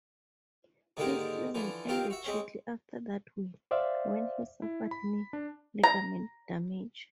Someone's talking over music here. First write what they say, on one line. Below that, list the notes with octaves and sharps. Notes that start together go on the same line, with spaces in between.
His season ended shortly after that win, when he suffered knee ligament damage.
G#2 D3 D#3 G#3 A#3 G4
D3 E3 F3
D#3 C4 F4 G4 A#4
F#4 E5
G#3 C4 C#4
C5 D5 E5 F5
E4
B5
D4
A#5